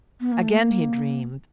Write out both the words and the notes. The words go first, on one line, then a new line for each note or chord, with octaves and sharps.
Again he dreamed.
B3
A#3
A3
A#3